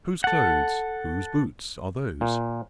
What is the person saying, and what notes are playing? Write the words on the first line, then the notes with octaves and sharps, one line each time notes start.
Whose clothes, whose boots, are those?
A4 F#5
A#2